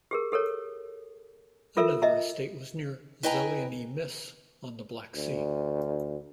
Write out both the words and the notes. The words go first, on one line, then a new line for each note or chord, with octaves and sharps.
Another estate was near Zelyony Myss on the Black Sea.
G4 G#4 A#4
G4 A4 A#4 C#5
F4 A4 A#4 E5
D#5 E5 A#5
E4 B4 D#5 G5 G#5 A#5
D2